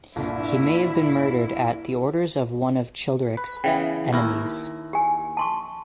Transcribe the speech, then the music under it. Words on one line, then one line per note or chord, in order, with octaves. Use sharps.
He may have been murdered at the orders of one of Childeric's enemies.
C2 G2 A#2 E4
B4
C#3 E3 B3 E5 G5
D#2 E4 A#4
G4 G#5
A5 C6 C#6